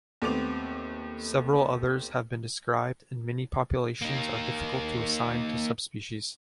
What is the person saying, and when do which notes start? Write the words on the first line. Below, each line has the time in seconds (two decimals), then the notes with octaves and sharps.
Several others have been described and many populations are difficult to assign to subspecies.
0.22 D#2 A3 B3 C4 D6 F7
4.02 A#3 D#4